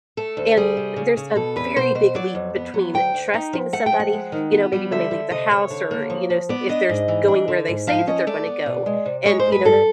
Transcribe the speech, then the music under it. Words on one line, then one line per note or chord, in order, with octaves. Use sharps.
and there's a very big leap between trusting somebody, you know, maybe when they leave the house or, you know, s if there's going where they say that they're gonna go, and, you know,
A3 A4
D2
G3 G#4
C3
C#3
C#3
B2 A4
E2 B4
B2 C5
B2 C5
F#3 D5
F2
B3
F#3
D2 G5
D2
D#4
F3
A3 F#5
G5
F3
F#5
G#3
D#3
B3
G3
D3 E5
D3
C3 D#5
C3 C#5
D3
A#3
F3
F3
B3 D5
D4 D#5
G#2
E3
D4
D3
G#2
F3 F5
C#4 D#5
A3 D5
B3
B2
G#3
C3
G#3 C#5
C5
G2
B4
G2 A4